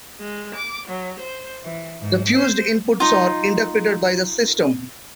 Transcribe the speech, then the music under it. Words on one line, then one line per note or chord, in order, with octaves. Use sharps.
The fused inputs are interpreted by the system.
G#3
D6
F#3
C5
E3
G#2
C5
D#4 F4